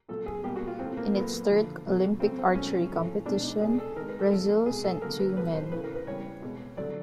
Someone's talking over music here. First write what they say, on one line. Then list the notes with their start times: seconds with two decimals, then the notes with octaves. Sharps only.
In its third Olympic archery competition, Brazil sent two men.
0.09 A#2 F#3 A3 A4
0.26 G#4
0.44 B2 G3 A#3 G4
0.56 F#4
0.67 F4
0.79 A2 E3 A3 C4
0.97 A#3
1.14 A#2 F#3 A3 B3
1.50 D3 F3 A3
1.85 B2 F#3 A3
2.20 C#3 F#3 A3 C4
2.38 C4
2.55 B2 F#3 A3 C#4
2.91 A2 F3 A3
3.25 B2 G#3 D4
3.43 D#4
3.60 B2 G#3 G#4
3.78 A4
3.96 D#3 A#4
4.01 G#3
4.08 B4
4.20 A4
4.31 A#2 F3 G#3 A4
4.66 B2 G#3 G#4
4.84 A4
5.02 D3 F#3 A#3 A#4
5.20 B4
5.37 A2 F#3 A3 B4
5.55 C5
5.72 C#3 E3 A3 B4
5.84 A#4
5.95 B4
6.07 C#3 E3 G3 C#5
6.42 B2 G#3
6.77 D3 F#3 A3 D5